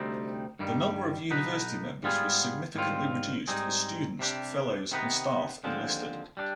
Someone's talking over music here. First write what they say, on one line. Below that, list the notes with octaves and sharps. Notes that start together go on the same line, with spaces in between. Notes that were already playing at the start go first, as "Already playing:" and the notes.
The number of University members was significantly reduced as students, fellows and staff enlisted.
Already playing: D2 C3 G3 C4 D#4
G2 D#3 G3
B1 B2 B3 D#4 B4
G#2 G3 B3 F4 G#4
G#2 D#3 G3 C4 F4
G#2 G3 C4 D#4 G#4
C3 G3 D4 G4
C3 D#3 B3 D#4 B4
D#2 D3 F3 G#3 C4
G3 D4 G4